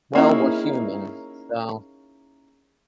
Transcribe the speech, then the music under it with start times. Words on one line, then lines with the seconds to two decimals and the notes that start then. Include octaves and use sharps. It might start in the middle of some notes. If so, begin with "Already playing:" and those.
Well, we're human, so
0.15 A#3 C#4 D#4 E4 G#4